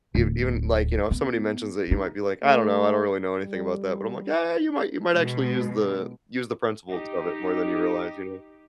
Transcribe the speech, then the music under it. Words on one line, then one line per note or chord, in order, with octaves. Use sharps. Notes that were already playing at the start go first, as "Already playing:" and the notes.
ev even, like, you know, somebody mentions that you might be like, "I don't know. I don't really know anything about that," but I'm like, "Yeah. You might you might actually use the use the principles of it more than you realize," you know?
D1
B3
D#4
A3
G3
B2 G#3
D#4 G4